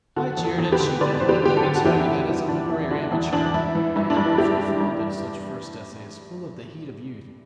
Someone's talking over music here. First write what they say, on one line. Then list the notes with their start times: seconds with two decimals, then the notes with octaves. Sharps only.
I jeered at you then, but let me tell you that, as a literary amateur, I am awfully fond of such first essays, full of the heat of youth.
0.16 D3 F#4 A4
0.37 E2
0.44 F#4 A4
0.59 E2
0.72 G4 B4
0.80 D3
1.01 D3 B4 D5
1.20 E2 C5
1.29 G4 B4
1.43 D3 G4
1.57 F#4 A4
1.64 D3
1.76 F#4
1.85 E2 E4 G4
2.06 E2 E4
2.27 F#3 E4
2.48 D3 D4
2.70 E2 E4
2.91 D3 D4 F#4
3.12 E2 E4
3.33 E2 D4
3.54 E3 E4
3.75 E3
3.96 G2 E4
4.10 D4
4.17 G2
4.24 E4
4.38 E3 E4 G4
4.59 G3
4.81 G2